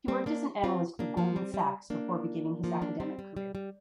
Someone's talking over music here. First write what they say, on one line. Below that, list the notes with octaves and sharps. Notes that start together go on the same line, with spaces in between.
He worked as an analyst for Goldman Sachs before beginning his academic career.
G3 C4
A#3 D4
C4 F4
A#3 D4
F3 A#3
G3 C4
G3
A#3 D4
F3 A#3
A#3 D4
G3 C4
G3
G3
G3